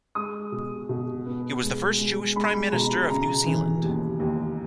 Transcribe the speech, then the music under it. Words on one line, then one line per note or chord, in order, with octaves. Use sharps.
He was the first Jewish prime minister of New Zealand.
G#3 D#6
B2
B2
B3
G#3
G#3
G#3 B5
B2 A#5
C#3 A#5
E3
D#2
D#2